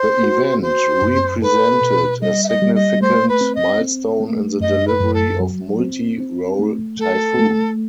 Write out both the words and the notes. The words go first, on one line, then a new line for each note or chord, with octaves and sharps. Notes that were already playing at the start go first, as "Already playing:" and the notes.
The event represented a significant milestone in the delivery of multi-role Typhoon.
Already playing: C5
F#4
F#4 C5
F#2
A4 B4
B2
G3 D#5
E5
D#5
G3
D#5
A3 C5
B4
C4
D#5
C4
A3
F#2 D#5
B4
F#2
A4
F#3
C4
C4
A3
A3 A4
A3